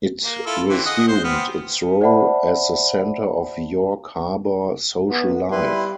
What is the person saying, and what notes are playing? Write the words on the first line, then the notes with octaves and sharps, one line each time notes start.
It resumed its role as the center of York Harbor social life.
A#3
E4 F4 A4
D3 E3 C4
G#4 D#5 F#5
C5 C6
B3 C4 F6
C5 D5 E5 F#5 A5 B5
B3
G3 E4 B4 C6